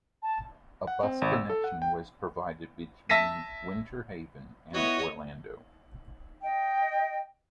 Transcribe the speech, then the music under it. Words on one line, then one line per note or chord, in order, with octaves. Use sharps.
A bus connection was provided between Winter Haven and Orlando.
A5
F#5
C4
G#1
E6
A4
F#5
G5
E5 A5 A#6 B6 D#7
B3 E4 F#4 C#5 D#5
D#5 G5